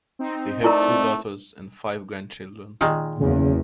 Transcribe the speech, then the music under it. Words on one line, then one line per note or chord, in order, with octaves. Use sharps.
They have two daughters and five grandchildren.
C4 D#4
A3 E4 A#4 D5 A#5
A#2 D#3 G#3
F#1 E2 C#3